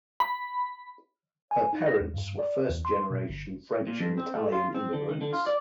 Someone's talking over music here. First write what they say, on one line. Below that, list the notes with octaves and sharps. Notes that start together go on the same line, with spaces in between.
Her parents were first generation French and Italian immigrants.
B5
G#5
D#4
A#6
E2
G2
D5
E2
C6
B2
G1
A#2
F2
C4
A3
F4
C4
D3
D#3
D3
F4
D5